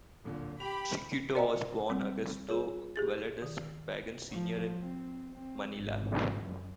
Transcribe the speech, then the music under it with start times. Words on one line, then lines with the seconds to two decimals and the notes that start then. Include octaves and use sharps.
Chiquito was born Augusto Valdes Pangan, Senior in Manila.
0.24 D1 A#2 D3
0.60 G4 B5 F7
1.35 A#4 C5 D5 D#5 G5 A#5
1.90 G3 C4
2.49 F4 G#4 C#5
2.96 G4 G#4 A6
3.42 D#3
4.31 F3
4.81 C4
5.34 C4
5.78 G#1
6.43 F#2